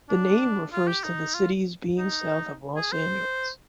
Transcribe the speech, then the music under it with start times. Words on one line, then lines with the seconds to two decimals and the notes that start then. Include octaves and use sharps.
The name refers to the city's being south of Los Angeles.
0.09 D4
0.72 F4
0.88 G4
1.04 D#4
1.35 F4
1.98 D#4
2.76 G#4
2.92 C5